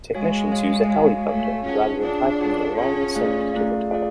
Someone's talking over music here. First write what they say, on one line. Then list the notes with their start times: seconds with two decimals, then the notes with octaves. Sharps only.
Technicians use a helicopter rather than hiking the long ascent to the top.
0.14 G#3 F#4 C#5 F5 G#5
0.52 F#4 C#5 F5 G#5
0.90 F#4 C#5 F5 G#5
1.27 A3 F#4 C#5 F5 G#5
1.65 C#4 F4 G#4 C#5 F#5 A5
2.03 D4 F4 G#4 C#5 F#5 A5
2.41 F4 G#4 C#5 F#5 A5
2.78 C#4 F4 G#4 C#5 F#5 A5
3.15 A3 F4 G#4 D5 F5
3.53 A3 F4 G#4 D5 F5
3.91 A3 F4 G#4 D5 F5